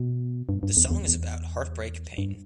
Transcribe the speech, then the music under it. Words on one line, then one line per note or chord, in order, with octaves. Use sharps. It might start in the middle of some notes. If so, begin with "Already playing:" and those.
The song is about heartbreak pain.
Already playing: B2
G2
G2
E2
E2
E2
G2